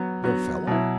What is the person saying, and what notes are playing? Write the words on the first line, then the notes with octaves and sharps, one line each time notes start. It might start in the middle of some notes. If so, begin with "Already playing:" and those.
"Your fellow?"
Already playing: F#3 B3 F#4
F#3 B3 F#4
B2 F#3 E4